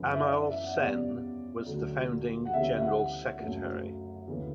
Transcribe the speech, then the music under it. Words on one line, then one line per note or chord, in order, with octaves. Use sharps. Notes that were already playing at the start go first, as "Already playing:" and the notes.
Amal Sen was the founding general secretary.
Already playing: F#2 C#3 E3
E5
D5
E5
F#5
E5
E2 C#3 G3 D5
D2 D3 F#3 A3
F#5
D2 C#3 E3 G3 E5
E5
F#5
F#2 C#3 F#3 A3
D2 C#3 E3